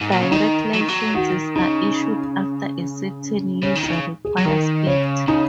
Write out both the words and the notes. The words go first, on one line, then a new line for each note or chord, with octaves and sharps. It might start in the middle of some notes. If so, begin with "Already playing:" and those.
"Direct Licenses" are issued after a certain user requires it.
G#2
A#2
C#3
D#3 D#4
F#3
D#3
F#3
D#3 F#4
C#3 D#4
C#3 C#4
D#3
D#4
C#3
G#4
F#3
D#3 A#4
C#3 C#5
C#3 D#4